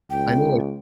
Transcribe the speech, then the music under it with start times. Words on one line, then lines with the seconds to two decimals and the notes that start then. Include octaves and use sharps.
I know it
0.10 C#2 G5